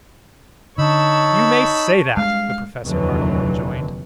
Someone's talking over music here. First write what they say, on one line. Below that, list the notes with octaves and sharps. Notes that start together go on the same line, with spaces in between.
"You may say that!" the Professor heartily rejoined.
D3 D#4 C#5 A5 B5 E6
G3 G#3 D4 F5
F1 D#2 D3 E3 F#3